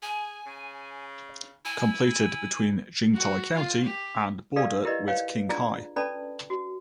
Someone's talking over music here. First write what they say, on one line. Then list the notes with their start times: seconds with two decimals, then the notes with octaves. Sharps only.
Completed between Jingtai County and border with Qinghai.
0.03 G#4 G#5
0.47 C#3
1.65 E4 G#5
3.14 F#4
3.54 F4
3.83 G4
4.56 D#4 G4 A4 A#4 D5 F5
4.85 E4 G4 A#4 B4 D5 D#5
5.08 B4 C#5 F5 G5
5.49 D4 F4 G#4 D5 A#5
5.96 C#4 A4 B4 D5 A5 B5
6.50 F#4